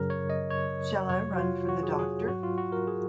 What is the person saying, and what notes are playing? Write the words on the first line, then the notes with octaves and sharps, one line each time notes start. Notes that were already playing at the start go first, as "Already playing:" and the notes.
Shall I run for the doctor?
Already playing: F#2 C#3 F#3 A#4
C#5
D#5
C#5
F2 C3 F#3 C#5
F#4
F4
F#4
G#4
G#4
G#2 F#3 F#4
F4
F#4
A#4
G#4